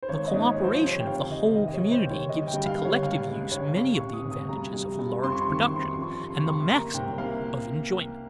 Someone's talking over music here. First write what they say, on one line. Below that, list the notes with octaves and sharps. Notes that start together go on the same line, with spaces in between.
The cooperation of the whole community gives to collective use many of the advantages of large production, and the maximum of enjoyment.
C5
G#1 C#5
D#5
G#2
C#5
F3
C5
C3 C#5
G5
F1 F5
F1 D#5
D#2 D#5
D#5
C#5
G#3
C5
D#2
C#5
G1 D#5
G5
G2
F5
G1
C#5
C#2 F5
G#3
C#2 C#5
C3 F5
C#6
C3
D#6
F1
D#6
G2 A#5
G2
G2
F2 C6
C#6
C6
D#3 C#6
C6
C#6
F2 C6
C#6
F3 C6
C#6
C6
C3 C#6
C6
C#6
C#2 C6
A#3 A#5
C2 G5
A#3 F5